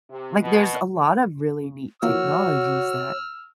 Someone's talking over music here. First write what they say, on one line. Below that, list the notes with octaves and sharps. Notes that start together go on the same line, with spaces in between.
like, there's a lot of really neat technologies that
C3
B2
E3 F3 A#3 F#4 C#5 E6 F6